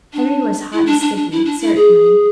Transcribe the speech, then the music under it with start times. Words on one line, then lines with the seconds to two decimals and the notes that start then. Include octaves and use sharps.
Henry was hot and sticky, certainly.
0.13 D4
0.73 E4
0.86 D4
1.01 D4
1.16 D4
1.32 E4
1.45 D4
1.61 E4
1.76 G#4